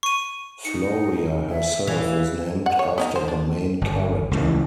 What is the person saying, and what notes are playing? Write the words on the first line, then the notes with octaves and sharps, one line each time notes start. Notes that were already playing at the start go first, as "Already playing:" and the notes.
Floria herself was named after the main character.
C#6 D#7
D#4 C#7
E5
E3 F5
F#5
C#5
B3 C#4 D#4
C5
D4
G1
C#2 A2 E3